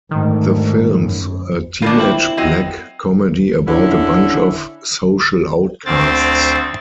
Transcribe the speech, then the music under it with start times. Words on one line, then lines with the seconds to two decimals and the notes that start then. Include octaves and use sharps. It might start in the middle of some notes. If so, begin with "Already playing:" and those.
The film's a teenage black comedy about a bunch of social outcasts.
0.11 G#2 D3 D#3 A3
0.99 F#2
1.82 B2 D#3 A#3 D4 F4
1.99 C4 E4
2.37 F#3 C4 D#5
3.67 D3 C#4 E4
5.86 D2 C4 A6